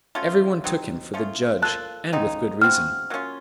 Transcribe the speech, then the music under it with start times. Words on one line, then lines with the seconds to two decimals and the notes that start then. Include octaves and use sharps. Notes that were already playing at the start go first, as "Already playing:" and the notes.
Every one took him for the judge, and with good reason.
0.15 F#3 A3 C#4 F4
0.64 F#3 C4 D#4
1.14 F3 A3 C#4 F4
1.62 A#3 F4 A4 F#6
2.13 C#3 F#3 C4 D#4
2.62 C#3 F3 C4 F#4 F6
3.10 F#3 A#3 C#4 F4